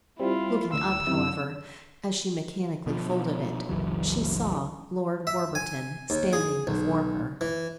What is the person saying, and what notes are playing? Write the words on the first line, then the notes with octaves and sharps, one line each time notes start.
Looking up, however, as she mechanically folded it she saw Lord Warburton standing before her.
G3 C4 E4 F4
D2 E6
F#2 C3 E4
B2 F3
G1 C#2 E3 F#3
E5
G#5
D#2
G#4
B1
E3